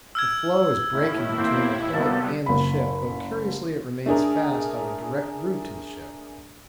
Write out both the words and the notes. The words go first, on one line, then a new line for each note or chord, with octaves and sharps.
The floe is breaking between the point and the ship, though curiously it remains fast on a direct route to the ship.
E6 F6 G#6
D#2 A2 E4
A#3 C4
C3 G3 A#3 B3 F#4 A4
F#1 B5
A3 D4 G#4 A#4